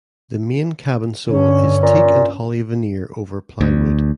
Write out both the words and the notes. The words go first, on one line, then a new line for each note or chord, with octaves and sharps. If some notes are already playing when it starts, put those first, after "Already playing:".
The main cabin sole is teak and holly veneer over plywood.
G2 D3 C#4
A#2
D2